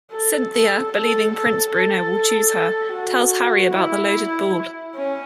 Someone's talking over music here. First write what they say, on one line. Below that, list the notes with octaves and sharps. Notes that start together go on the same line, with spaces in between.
Cynthia, believing Prince Bruno will choose her, tells Harry about the loaded ball.
A4
A4
A4
A4
A4
F#4
E4
C#4